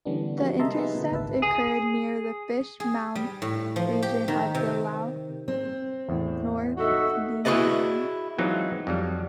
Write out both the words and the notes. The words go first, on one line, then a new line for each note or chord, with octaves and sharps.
The intercept occurred near the Fish's Mouth region of the Laos, North Vietnam border.
D3 E3 G3 B3 C#4 D4
F3 G3 G#3 A#3 F#4
C3 D#5 E5 A5 A#5 C6
B3 D#4 G#4 B4
A#2 D3
G#1 C#2 B4 E5 A5
G#4
G#4
G3
A2
F3
G4
D#3
C3
C4
E2 A2
D#4 F#4 A4 E5
E4 F#4 G#4 B4 D5 D#5
E3 F#3 G#3 C4 D#4 F4
F2 F#3 G3